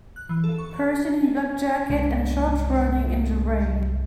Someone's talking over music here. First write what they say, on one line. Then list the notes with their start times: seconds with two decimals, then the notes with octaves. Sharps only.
Person in black jacket and shorts running in the rain.
0.16 F#6
0.29 E3
0.44 A4
0.58 C#6
0.74 F#6
1.89 C2 G2 G#3 D4